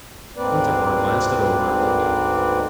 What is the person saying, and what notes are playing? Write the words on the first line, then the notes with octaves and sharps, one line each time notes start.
Winterborne glanced it over and looked up.
D2 G#2 A#3 C4 B4 D5